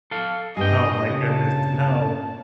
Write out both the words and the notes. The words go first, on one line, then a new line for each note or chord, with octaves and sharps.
Oh my goodness. No.
A4 F5
G2 G3 A#3 G#4 D#5 G5
C#3 A#3 A5